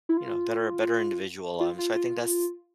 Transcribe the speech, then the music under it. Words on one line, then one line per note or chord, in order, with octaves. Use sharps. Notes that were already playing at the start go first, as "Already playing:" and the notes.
you know, better better individual, um, so I think that's
E4
F4
F4
F4
F4